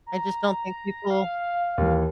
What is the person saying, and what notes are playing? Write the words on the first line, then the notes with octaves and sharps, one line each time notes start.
I just don't think people
A#5
F5
D#2 E3